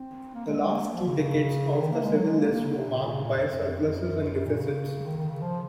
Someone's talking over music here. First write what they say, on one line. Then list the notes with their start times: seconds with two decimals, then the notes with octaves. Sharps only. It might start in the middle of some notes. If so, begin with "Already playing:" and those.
The last two decades of the Civil List were marked by surpluses and deficits.
Already playing: C4
0.34 A#3
0.46 G#3
0.58 G#3
0.71 A#3
0.82 A#3
0.94 F3
1.06 C#3
1.80 D#3
1.91 A#3
2.03 G#3
2.16 F#3
2.27 G#3
2.39 A#3
2.51 A#3
2.64 C#3
2.76 C3
2.88 A#2
3.00 A#2
3.12 C#3
3.24 A#2
3.34 F2
3.51 F2
3.60 F#2
3.72 F2
3.85 F2
3.96 F#2
4.33 F#2
4.45 A#2
4.57 C#3
5.05 D#3
5.17 D#3
5.29 C#3
5.41 F3